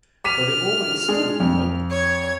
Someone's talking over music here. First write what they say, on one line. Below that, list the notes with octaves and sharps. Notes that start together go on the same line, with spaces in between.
But they always do, you know.
D6 F6 B6 D#7
G#3 D4 G#4
F2
C#5 G#6